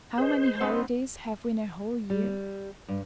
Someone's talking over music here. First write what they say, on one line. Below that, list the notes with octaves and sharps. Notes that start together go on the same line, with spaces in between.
How many holidays have we in a whole year?
G#4 B4 C5 D#5
G2 B3 C4 D#4 F#5 C6 E6
G3
G2